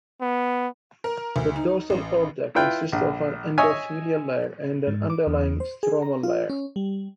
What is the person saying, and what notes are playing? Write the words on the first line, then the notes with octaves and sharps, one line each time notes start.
The dorsal aorta consists of an endothelial layer and an underlying stromal layer.
B3
A#4
D2
D#4
A1
E4 F4 B4 G5
A#1
C#5 D#5 E5 G#5
G#2
D6
E2
C5
G#4
A#5
F4
C#4
G3